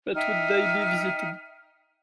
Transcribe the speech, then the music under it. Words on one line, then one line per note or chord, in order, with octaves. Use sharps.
But would they be visited?
D#4 E5 G5 F6